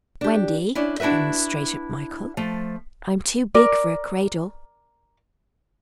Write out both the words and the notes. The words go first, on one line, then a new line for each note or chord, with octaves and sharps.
'Wendy,' remonstrated Michael, 'I'm too big for a cradle.'
D4 G4
C#4 D4 E4
D4 E4 F#4 B4 E5
F3 A3
A#4 D5